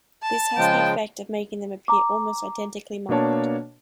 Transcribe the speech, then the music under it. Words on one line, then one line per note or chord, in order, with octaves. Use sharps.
This has the effect of making them appear almost identically marked.
A5
C#3 F3 G#3 G5
A#5 D6
B2 A#3 D4 C#5 A5